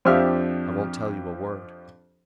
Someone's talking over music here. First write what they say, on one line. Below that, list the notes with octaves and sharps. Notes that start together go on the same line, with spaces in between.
"I won't tell you a word."
F2 F3 D4 G4 E5 F6